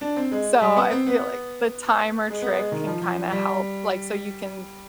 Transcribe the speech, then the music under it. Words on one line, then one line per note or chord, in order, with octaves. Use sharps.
So I feel like the timer trick can kinda help, like, so you can
D4
C4
G#3
G3
B3
C4
B3
G#3
B3
G#3
D#3
F3
F3
G3